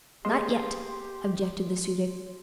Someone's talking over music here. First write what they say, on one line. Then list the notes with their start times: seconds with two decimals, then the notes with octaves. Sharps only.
"Not yet," objected the Su-dic.
0.25 A#3 G4 G#4 D#5 C6